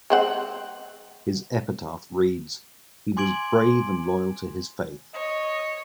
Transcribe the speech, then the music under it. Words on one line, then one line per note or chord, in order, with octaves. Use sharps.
His epitaph reads, He was brave and loyal to his faith.
G#3 C4 F#5
G#5 C6 D6 G#6 D7 F#7
C#5 D#5